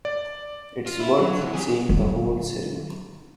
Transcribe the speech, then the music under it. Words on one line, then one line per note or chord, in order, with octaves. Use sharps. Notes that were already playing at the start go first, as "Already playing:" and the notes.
It's worth seeing the whole ceremony.
D5
F4
E4
F#3
C3 E3
G4 G#4
D3 F#3